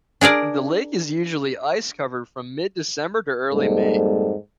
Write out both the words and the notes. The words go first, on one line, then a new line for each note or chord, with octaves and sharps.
The lake is usually ice-covered from mid-December to early May.
D4 G#4 A#4 D5
F2 G#2 G3 A#3 C4 A4